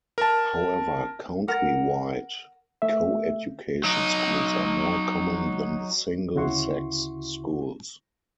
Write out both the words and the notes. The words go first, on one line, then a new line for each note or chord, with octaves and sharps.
However country-wide, co-education schools are more common than single-sex schools.
A#4 A5
A#4 F#5
A3 E5
F#3 D#4
D2 C#3 E4 F#4 C6 C#6